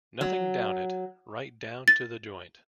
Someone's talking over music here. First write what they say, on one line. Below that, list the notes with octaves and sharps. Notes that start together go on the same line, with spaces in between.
Nothing down it, right down to the joint.
F#3
A6